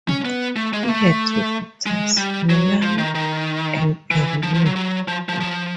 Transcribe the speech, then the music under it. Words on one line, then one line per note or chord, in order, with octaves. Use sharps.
They had two daughters, Melanie and Bronwyn.
C#4
B3
A3
G#3
A#3
A3
G#3
G3
F#3
F3
D#3
D#3
E3
F3
F3
F#3
F#3
F3
F3
F3